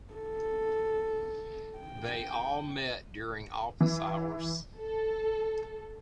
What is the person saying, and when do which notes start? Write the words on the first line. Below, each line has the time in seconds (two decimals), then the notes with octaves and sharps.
They all met during office hours.
0.14 A4
1.79 G5
3.80 E3
4.77 A4